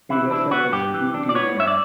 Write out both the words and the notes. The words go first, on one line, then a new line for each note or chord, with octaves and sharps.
He was a Presbyterian.
E3 E4
D4 E4
B3 F#4
G2 G4
E3
D4
D5
B3 C#5
G2 E5
D5